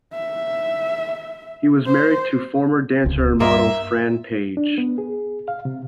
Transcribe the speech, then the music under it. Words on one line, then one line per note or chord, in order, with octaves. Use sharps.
He was married to former dancer and model, Fran Page.
E5
C5
D1 C#2 C#3
G2 A#3 F4 D#5 E5
D4
B3
G#4
F5
C3